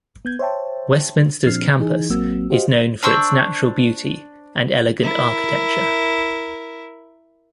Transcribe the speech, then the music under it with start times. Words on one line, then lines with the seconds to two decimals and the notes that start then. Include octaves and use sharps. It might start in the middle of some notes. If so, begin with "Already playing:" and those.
Westminster's Campus is known for its natural beauty and elegant architecture.
0.25 B3 G6 G#6
0.39 C5 C#5 E5 G5 A5
1.46 A#2 F3 C4 D4 F6 C7
1.79 E3 D#4 G#4
2.10 A1 F#3 A#3 C4 F#4 E6
2.50 F#4 G4 C5 D#5 F5
3.03 D4 C5 C#6 E6
5.03 E4 A#4